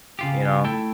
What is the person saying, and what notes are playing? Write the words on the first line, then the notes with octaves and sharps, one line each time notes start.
you know?
C#3 F4 G4
A3 E4 A4 G5